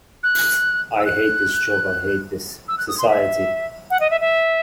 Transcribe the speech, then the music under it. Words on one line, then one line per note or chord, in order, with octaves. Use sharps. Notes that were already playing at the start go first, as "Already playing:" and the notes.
Few written works have their storyline taking place during Samo's Empire.
F#6
E6
F#6
E6
F#6
D#6
C6
E5
F#5
D#5
E5
E5